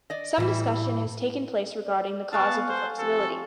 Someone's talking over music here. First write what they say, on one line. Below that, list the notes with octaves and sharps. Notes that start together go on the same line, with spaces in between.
Some discussion has taken place regarding the cause of the flexibility.
D5 D#5
A2 E3 G3 E4
D5
B3 F5 F#5 G#5 A5 C#6
A4 C5
F3 C4 G4 A4